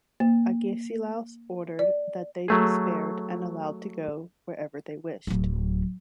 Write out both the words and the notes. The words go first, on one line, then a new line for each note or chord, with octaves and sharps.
Agesilaus ordered that they be spared and allowed to go wherever they wished.
A#3
D5
F#3 A3 G#4
D1 F#3